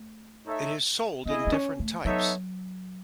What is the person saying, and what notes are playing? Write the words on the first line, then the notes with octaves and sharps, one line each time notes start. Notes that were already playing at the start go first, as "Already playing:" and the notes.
It is sold in different types.
Already playing: A3
D#4 A4 C#5 E5
B3 E4 G#4 D#5
B3
C#4
A3
F#3 B3 D#4 A4 C#5 E5